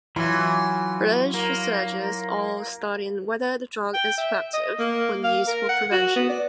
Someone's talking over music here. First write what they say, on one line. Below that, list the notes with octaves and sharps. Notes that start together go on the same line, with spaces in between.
British researchers are studying whether the drug is effective when used for prevention.
E3 F#3 E4 F4
A#3
G5
E5
D#5
A#3
F5
A#4
F#5
F#4
B3
D5